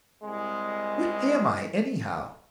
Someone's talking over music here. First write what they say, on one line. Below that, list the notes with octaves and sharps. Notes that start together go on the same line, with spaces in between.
What am I anyhow?
C2 G#3